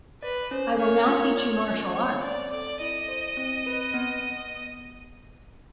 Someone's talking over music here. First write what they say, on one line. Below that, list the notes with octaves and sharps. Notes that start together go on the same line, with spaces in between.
I will now teach you martial arts.
B4 D5
C#4 C5
A#4 C#5
F4
D5
C#4
C5 C#5
C4 D5
A4 D5
E4 D#5
C5
C4
B4
B3